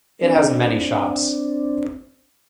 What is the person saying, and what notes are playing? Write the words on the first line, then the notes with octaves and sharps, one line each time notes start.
It has many shops.
C4 D4